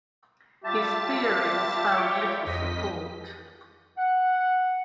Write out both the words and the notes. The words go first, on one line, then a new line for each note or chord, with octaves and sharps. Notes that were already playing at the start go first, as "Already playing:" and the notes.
His theory has found little support.
G3 F4 G4 E5 A5 A6
C#5 G5
F2 D#5 B6
F#5